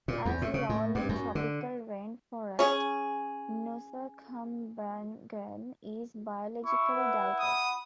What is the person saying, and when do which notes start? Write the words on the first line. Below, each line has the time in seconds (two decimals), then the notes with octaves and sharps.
As a lowland tropical rain forest, Nusakambangan is biologically diverse.
0.08 A#2
0.25 E2
0.42 A2
0.54 C#3
0.69 A2
0.95 G2
1.09 F#2
1.35 D3
2.59 C#4 G#4
6.65 E4 C#6
6.95 B4 F#5
7.39 B5 D#6